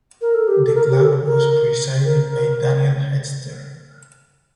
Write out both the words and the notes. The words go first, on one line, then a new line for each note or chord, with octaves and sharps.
The club was presided by Daniel Hechter.
A#4
A4
G4
A4
A#4
G4
A4
A#4
A#4